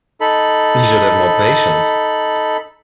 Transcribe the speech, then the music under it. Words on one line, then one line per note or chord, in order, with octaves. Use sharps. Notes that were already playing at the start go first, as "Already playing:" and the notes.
You should have more patience.
D#4 A4 B5